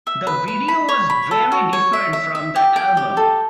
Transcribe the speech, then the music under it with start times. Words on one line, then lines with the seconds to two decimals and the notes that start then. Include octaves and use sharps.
The video was very different from the album.
0.07 E5
0.27 B4
0.48 B4
0.68 B5
0.89 C#5
1.10 B5
1.31 A4
1.52 F#4
1.73 C#5
1.93 E5
2.13 E5
2.35 E5
2.56 G4
2.76 G5
2.97 G4
3.17 A4